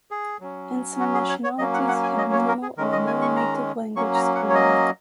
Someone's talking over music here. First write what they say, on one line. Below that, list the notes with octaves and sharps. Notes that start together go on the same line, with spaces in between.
And some nationalities had minimal or no native-language schooling.
G#4
F#3 C#4
F#4
G#4
C#5
C#5
F#3 A#3 C#4 D#5
F#5
F#5
G#5
D#5
C#5
A#4
G#4
D#3 G#3 C#4 A#4
D#5
G#5
C#6
A#5
F#3 A#3 C#4 C#6
A#5
F#5
C#5
D#5